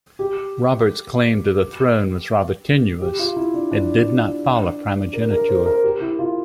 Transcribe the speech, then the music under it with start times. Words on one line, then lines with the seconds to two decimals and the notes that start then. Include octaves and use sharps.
Robert's claim to the throne was rather tenuous and did not follow primogeniture.
0.19 G4
3.01 G4
3.19 F4
3.36 E4
3.54 D4
3.71 D4
5.13 A#4
5.31 A#4
5.49 C5
5.66 A#4
5.84 G4
6.01 E4
6.19 F4